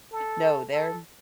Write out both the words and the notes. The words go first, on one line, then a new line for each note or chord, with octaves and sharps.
No, they're
A4
A4